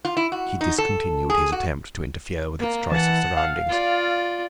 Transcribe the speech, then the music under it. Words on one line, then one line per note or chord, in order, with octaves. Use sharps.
He discontinued his attempt to interfere with its choice of surroundings.
F4
E4
F#4
D#4
A4
G#4
F#4
A#3
E3 F#5 A5
F5
F4 D5